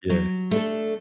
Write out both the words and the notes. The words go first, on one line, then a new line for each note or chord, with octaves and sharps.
yeah, it's
F#3
A3 D4 A4